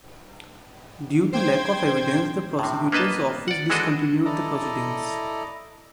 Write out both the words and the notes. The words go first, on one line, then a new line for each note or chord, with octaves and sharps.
Due to lack of evidence, the Prosecutor's Office discontinued the proceedings.
C5 G5 G#6
A2 C3
A#3 B3 B4 D#5 A5
D5 F#5
E3 G#3 D4 F#4 A4 D#5
E4 A4 D5 D#5 A#5